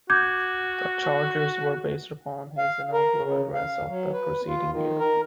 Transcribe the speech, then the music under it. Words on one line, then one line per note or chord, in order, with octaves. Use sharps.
The charges were based upon his inaugural address of the preceding year.
F#4 D6 G6 G#6
F5
A#4
C#3
F5
F#3
B4
F4
D#3
A#4